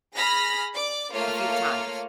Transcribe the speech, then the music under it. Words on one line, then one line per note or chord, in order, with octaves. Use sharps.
A few times.
G#4 B5 F6 A#6 B6
D5 D6
A3 A#3 F4 C#5 F6